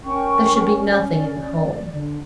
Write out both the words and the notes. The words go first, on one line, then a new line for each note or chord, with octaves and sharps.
There should be nothing in the home.
C#4 A#4 G5 C#6
D5
D3